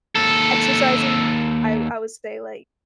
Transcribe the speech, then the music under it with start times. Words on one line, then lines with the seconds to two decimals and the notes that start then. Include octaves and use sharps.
exercising, I I would say, like
0.16 D#2 A4